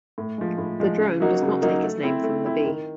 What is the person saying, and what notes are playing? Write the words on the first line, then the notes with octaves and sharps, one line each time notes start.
The drone does not take its name from the bee.
A2
F3 G#3
A2
F3 G#3
C#3
F#3 A#3 D#4 F#4
C#3
F#3 A#3 D#4 F#4
A3
C4 E4
A3
C4 E4
D#3